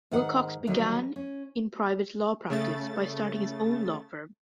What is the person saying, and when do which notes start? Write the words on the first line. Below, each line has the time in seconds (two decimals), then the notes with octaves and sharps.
Wilcox began in private law practice by starting his own law firm.
0.11 G#2 D#3 F#5
0.67 D3 D#3 F#3 G3
1.16 C#4
2.50 C#3 A3 A6